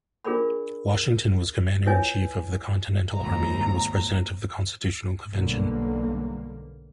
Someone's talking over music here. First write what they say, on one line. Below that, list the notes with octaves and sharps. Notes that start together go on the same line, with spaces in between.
Washington was Commander-in-Chief of the Continental Army and was President of the Constitutional Convention.
D4 F4 G#4 A#4 D5 B5
E4 F4 B4 C#5 D#5 G#5
G#1 D#2 A#5
B1 G2 D3 A#3